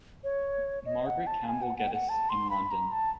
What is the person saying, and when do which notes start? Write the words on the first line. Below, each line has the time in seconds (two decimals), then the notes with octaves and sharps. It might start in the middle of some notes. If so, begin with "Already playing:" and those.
Margaret Campbell-Geddes in London.
0.24 C#5
0.86 D#5
1.06 F#5
1.27 A5
1.48 G#5
1.62 F#5
1.78 F#5
1.88 G5
1.93 F#5
2.09 A5
2.29 C6
2.50 B5
2.71 A#5
2.92 A5